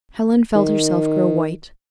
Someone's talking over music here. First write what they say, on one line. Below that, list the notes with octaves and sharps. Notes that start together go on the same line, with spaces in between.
Helen felt herself grow white.
D#3